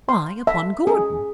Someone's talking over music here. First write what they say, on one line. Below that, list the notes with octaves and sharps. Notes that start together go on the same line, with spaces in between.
"Why upon Gordon?"
C6
E5
G#4